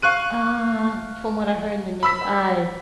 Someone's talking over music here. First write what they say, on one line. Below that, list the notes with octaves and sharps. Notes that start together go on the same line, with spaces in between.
Uh, from what I heard in the news, I
F5 C#6 F#6 D#7
B5 E6 B6